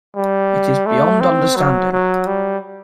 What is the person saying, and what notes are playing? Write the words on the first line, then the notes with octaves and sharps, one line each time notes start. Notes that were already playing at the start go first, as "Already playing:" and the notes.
It is beyond understanding.
G3
A3
C4
F#3
F#3
G3